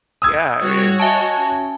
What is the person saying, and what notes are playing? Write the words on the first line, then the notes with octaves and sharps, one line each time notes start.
Yeah, it is.
D#6 E6 G#6
G3 F#4 C#5
D#5 E5 G#5 A5
C#4